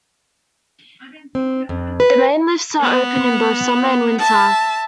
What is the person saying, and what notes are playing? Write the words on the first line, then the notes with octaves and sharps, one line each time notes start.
The main lifts are open in both summer and winter.
C4
F2
B4
B3
E5 A5